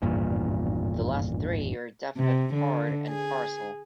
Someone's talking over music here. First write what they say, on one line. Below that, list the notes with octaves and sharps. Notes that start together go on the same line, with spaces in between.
The last three are definite part and parcel.
G#1 E2 G2 A#2
C3
D3
G#4